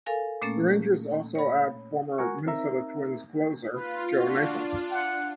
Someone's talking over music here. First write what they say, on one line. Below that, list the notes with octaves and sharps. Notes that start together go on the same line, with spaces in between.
The Rangers also add former Minnesota Twins closer, Joe Nathan.
A4 A#4 F5 G#5
A#2 A3 A#3 C#4 A6
C#5 B5
F#4 A#4 F#5 G#5 C#6
C4 D#4 A#4 E5 A#5
F4 B4
D4 F4 F#4
F#5